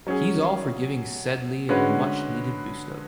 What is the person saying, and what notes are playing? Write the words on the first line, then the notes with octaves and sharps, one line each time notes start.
He's all for giving Sedleigh a much-needed boost-up.
F#3 C#4 G#4
D3 G#3 C#4 F#4 B4